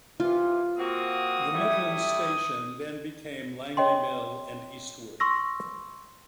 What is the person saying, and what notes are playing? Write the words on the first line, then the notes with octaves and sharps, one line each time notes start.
The Midland station then became Langley Mill and Eastwood.
C3 E3 F4
A#3 C4 F#4 D#6
G3 A3 E4
C#5 D#5 G5 C6
C6 C#6 E6 A#6